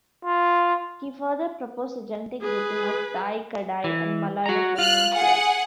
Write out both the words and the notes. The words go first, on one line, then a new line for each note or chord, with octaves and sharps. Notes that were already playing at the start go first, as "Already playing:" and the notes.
He further proposed a genetic grouping of Tai, Kadai and Malayo-Polynesian.
F4
G#4 B4
E3
F#4 A#5
F4 F6 F#6
G#4 F#5